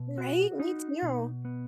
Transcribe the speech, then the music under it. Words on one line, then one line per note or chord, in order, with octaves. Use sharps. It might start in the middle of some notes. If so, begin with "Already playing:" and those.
Right? Me too.
Already playing: B2
F#4
D#4
B2
B3